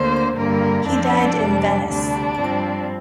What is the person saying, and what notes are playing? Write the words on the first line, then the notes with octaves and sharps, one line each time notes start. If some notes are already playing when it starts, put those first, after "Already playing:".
He died in Venice.
Already playing: D2 D3 A#3 C5
G2 D3 A#3 A#4
F2 F3 C4 D4
F2 C3 G3
D2 C3 G3 D4
G2 F3 C4